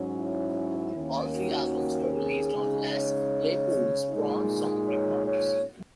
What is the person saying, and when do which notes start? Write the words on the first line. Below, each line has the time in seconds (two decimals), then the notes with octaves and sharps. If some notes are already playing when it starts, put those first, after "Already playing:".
All three albums were released on Les Claypool's Prawn Song Records.
Already playing: G#2 F#3 C#4
0.18 E4
0.96 D#2 D#3 A#3 C#4
1.35 F#4
2.14 G#4
2.53 C#3 G#3 D#4
2.92 C#5
4.10 A#2 G#3 D#4
4.88 C#5
5.27 C#5